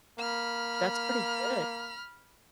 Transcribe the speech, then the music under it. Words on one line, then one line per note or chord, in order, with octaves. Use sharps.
That's pretty good.
A#3 B5 F6